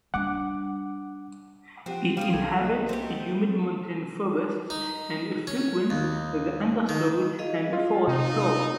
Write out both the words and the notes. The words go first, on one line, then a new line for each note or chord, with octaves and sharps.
It inhabits humid montane forests and frequents the understory and forest floor.
G3 D4 F#5 D6
F3 C4 G4 F#5
F3 G3 C4 G#4
C2 G3 A4 G#6
A#3 F#4 D#5
A3 C4 G4
D#4
C#4
D#2
D#3
G#4 D#5 F5
F4
C3 B3 D#4